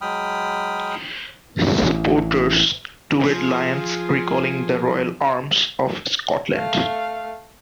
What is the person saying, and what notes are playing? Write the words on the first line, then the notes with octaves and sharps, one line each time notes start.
Supporters: Two red lions, recalling the royal arms of Scotland.
F#3 G#3 G5 B5 D#6 F6
A1
F3 F4 G#4
A3 F5